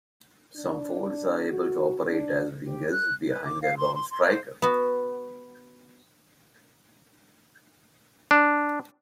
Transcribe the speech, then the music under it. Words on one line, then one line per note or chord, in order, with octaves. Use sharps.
Some forwards are able to operate as wingers behind a lone striker.
D4
F#4
D4
G4
F#6
B4
D6
F5
C6
C6
C6
C5
B3 F#4
D4